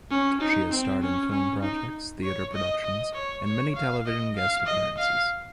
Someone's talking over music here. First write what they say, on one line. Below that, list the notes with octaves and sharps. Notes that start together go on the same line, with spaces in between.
She has starred in film projects, theatre productions and many television guest appearances.
C#4
D#4
C4
C#4
C#4
D#4
C#5
D#5
D#5
C#5
C#5
F5
D#5
F5
D#5
F5